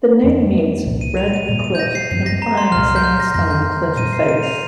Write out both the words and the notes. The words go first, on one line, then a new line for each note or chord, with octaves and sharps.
The name means 'red cliff', implying a sandstone cliff-face.
F2 F3 A#3
C2 A#2 F3 A#3
D#7
F7
D#7
A#2 G3 A#3 F7
D#7
G6
A#6
C7
G2 F3 C4 C7
A#6
A#5
C6
C2 A#2 G3 F6
F6
G6
F6
A#6
F2 D#3 C4 A#6
G6
A#2 G3 C4 D#7
C7
D#7
F7